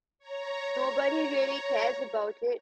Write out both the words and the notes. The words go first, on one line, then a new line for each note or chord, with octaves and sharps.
Nobody really cares about it.
C#5 A#5